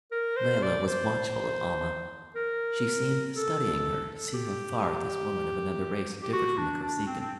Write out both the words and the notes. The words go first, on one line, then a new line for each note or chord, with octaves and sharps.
Layelah was watchful of Almah; she seemed studying her to see how far this woman of another race differed from the Kosekin.
A#4
C5
D5
C5
A#4
A4
G4
G4
F#4
D4
D4
C4
C4